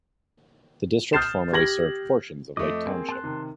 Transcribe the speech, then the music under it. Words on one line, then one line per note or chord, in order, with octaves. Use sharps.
The district formerly served portions of Lake Township.
D#6 F6 G6 A6 C7 E7
G4 G#6 A#6 F#7
F2 A3 D#5 D6 D#6
A#3 C4 G#4
A5 C6 F#6
C3 D#3